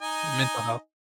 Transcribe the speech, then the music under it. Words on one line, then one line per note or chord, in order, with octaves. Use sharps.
your mental health.
D#4 D#5 G#5